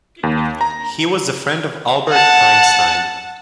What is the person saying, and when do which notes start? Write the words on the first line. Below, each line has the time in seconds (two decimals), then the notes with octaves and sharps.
He was a friend of Albert Einstein.
0.23 D#2
0.61 A#5
2.09 F#5 A5